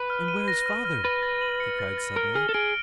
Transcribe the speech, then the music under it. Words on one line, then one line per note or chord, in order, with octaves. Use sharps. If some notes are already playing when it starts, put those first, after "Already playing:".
"And where is Father?" he cried suddenly.
Already playing: B4
F6
D#7
A#6
F6
F6
B4 A6
A6
F#7
C#7
A6
A6
A#4 F6
G#4 F6
A4
G#4 D7